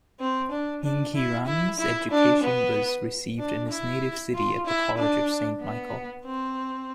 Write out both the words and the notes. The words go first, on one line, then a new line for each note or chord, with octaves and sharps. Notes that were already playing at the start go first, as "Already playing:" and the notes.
Inghirami's education was received in his native city at the College of Saint Michael.
C4
D4
D4
E4
E4
E4
D4
B3
D4
E4
F4
E4
D4
B3
C4